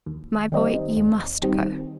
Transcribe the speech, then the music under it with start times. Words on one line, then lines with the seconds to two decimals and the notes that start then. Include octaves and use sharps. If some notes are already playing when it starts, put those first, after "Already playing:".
'My boy, you must go.
0.06 D#2
0.52 D#3 G3 C4 D#4
0.97 D#2
1.42 D#3 G3 C4 D#4